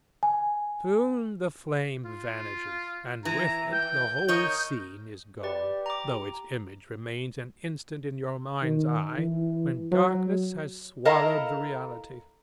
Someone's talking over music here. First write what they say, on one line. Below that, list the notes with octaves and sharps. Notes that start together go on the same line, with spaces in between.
Soon the flame vanishes, and with it the whole scene is gone, though its image remains an instant in your mind's eye when darkness has swallowed the reality.
G#5
F4
E3 A#5
G5 G6
A#4 C#5 D#5
G4 B4 D5
A#5 D6
D#3
E3
F#3
E4 A4 A#4 D#5 F5